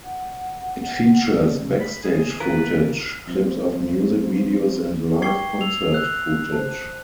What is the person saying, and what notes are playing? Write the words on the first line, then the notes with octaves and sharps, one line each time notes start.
It features backstage footage, clips of music videos and live concert footage.
F#5
D5
B5
G#4
E3 F4 A#4 B4
F3 C4
G5 C#6 D6 G#6 C7 G7
E6 F7
E6 F#6
C5 A5